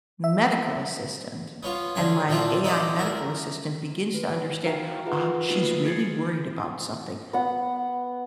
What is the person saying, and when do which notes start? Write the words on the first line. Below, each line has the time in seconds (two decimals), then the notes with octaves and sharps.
medical assistant and my AI medical assistant begins to understand, "Ah, she's really worried about something.
0.24 E5
1.63 B3 C#4 F4
1.95 D3 E4 F4 G#5
2.28 A#2 F3 C4 D4 E4 F4
2.64 C4 D#4 E4 G4 D5
2.98 E4 A#4
4.14 B4
4.63 D#4 F#4 A#4 F5 G5 A#5
5.06 F4 G#4 B4 E5 F#5
5.48 A3 A#3 D#4 F4 F#4 B4
5.85 G#4 G#6 A6 C7 C#7
7.33 B3 F#5